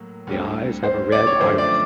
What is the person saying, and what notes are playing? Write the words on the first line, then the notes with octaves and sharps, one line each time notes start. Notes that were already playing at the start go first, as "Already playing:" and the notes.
The eyes have a red iris.
Already playing: A2 F#3 A#3
D2 D3 G3 C4
C5
D5
C#5
F#2 D3 F3 A3 C5
D5